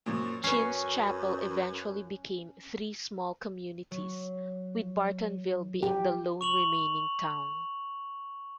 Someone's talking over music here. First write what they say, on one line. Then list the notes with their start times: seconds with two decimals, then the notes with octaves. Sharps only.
Chinn's Chapel eventually became three small communities, with Bartonville being the lone remaining town.
0.06 F#2 A#2 F3
0.44 F#2 C#4 B4 C#5 C7
3.91 F#3
5.83 G4
6.41 C#6 F7 F#7